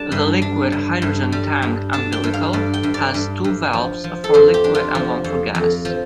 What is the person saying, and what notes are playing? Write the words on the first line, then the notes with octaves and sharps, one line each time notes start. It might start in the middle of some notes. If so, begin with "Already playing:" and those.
The liquid hydrogen tank umbilical has two valves for liquid and one for gas.
Already playing: G3 D4 A5
G2
D4
G2
G2
G3
G2
D4 A5
G5
G2
F5
G2 D5
G5
G2
D5
G2
G2
F3
F3
A4
F2 C5
G4
D4
F4
F3
F2
F2
F3